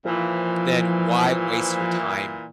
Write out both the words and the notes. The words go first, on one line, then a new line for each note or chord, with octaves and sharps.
then why waste your time
A#2 E3 F3